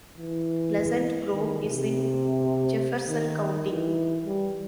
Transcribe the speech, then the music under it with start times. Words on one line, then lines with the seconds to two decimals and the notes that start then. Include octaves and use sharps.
Pleasant Grove is in Jefferson County.
0.18 E3
1.34 D#3
1.63 C3
3.08 D#3
3.67 E3
4.25 G3